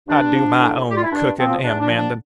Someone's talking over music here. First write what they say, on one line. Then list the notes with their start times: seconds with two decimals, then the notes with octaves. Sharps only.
I do my own cooking and mending.
0.08 G2 D4
0.34 F3
0.59 A2
0.85 G3 G4
0.97 F4
1.03 E4
1.11 G2 D4
1.37 F3 C4
1.63 E2 D4
1.80 D4
1.88 D3 F3
1.97 D4